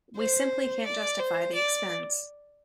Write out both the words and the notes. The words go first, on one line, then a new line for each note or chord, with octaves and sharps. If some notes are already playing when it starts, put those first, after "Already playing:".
We simply can't justify the expense.
C5
D5
C5
D5